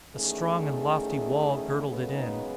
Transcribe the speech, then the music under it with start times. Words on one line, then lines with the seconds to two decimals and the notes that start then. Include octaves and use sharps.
A strong and lofty wall girdled it in.
0.15 E2 D#3 A3 C#4 G#4
1.85 F#2 C#3 G#3 B3 A4
2.14 D#4